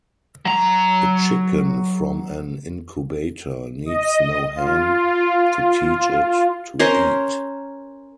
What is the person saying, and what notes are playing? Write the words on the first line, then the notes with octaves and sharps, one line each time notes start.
A chicken from an incubator needs no hen to teach it to eat.
F#3 A#5
D#5
F4
C#4 A#4 C5